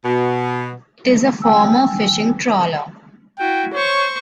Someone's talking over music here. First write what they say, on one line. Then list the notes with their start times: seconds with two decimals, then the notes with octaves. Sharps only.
It is a former fishing trawler.
0.05 B2
1.42 G5 G#5 E6
3.39 E4 F#4 G5
3.74 C5 C#5 C#6